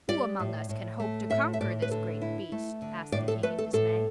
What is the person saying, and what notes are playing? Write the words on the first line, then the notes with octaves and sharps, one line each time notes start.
"Who among us can hope to conquer this great beast?" asked the King, in dismay.
G3 D5
A2
A2
A3
A2 E5
E5
A2 D5
B4
D3 A4
E4
A3
D3
A2 D5
A4
A3 B4
A4
A2 A4